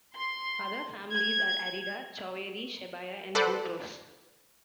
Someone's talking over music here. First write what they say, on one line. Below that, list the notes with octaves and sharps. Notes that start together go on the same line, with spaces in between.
Other families are Arida, Choueiri, Shebaya and Boutros.
C6
G#6
A4 B4 C5 D5 F#5